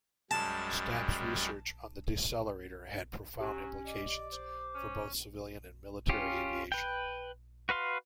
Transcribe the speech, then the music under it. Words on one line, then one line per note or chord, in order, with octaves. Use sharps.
Stapp's research on the decelerator had profound implications for both civilian and military aviation.
F#2 G3 G#3 A5
F#3 C#4 G4
D5 D#5
C5 D6
C#4
C#4 F4 G4
B4 G5
F#4 B4 F5 C6